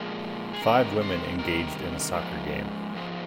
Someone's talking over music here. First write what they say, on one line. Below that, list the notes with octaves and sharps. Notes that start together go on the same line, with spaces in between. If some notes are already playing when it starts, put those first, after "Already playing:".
Five women engaged in a soccer game.
Already playing: A#2 F3 G#3 G#4
G#4
C3 D#3 G3 A#4
C5
C3 D#3 G3 A#4
G#2 F3 G#3
G#2 F3 G#3